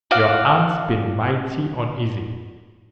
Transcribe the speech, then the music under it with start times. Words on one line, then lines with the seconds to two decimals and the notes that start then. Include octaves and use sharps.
"Your aunt's been mighty uneasy."
0.11 F#4 D5 F5